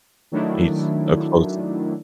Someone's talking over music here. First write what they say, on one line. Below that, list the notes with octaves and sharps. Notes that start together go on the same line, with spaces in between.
he's a close
D#3 F#3 A3 D4 E4